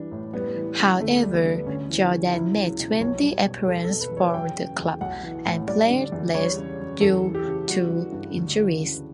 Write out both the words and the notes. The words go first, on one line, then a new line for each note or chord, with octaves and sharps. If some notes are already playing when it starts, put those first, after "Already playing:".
However, Jordan made twenty-appearance for the club and played less due to injuries.
Already playing: E3 G3 D4
A2
G3 B3
E3
C#3
D2 A3
G3
B3
D3
D2 C#4
E3
C#3
C#2 E4
F#3
B2
B1 C#5
G3
B2
E1 A4
A4
B2
B4
E2
C#5
F#3 G5
C#3
E2
B1 F#5
E3
A2
G3 D5
D3
E2
G3 C#5
C#3
F#2
E2 A4
E3
G4
C#3
G3 F#4
E3
G2
D2
E3
C#3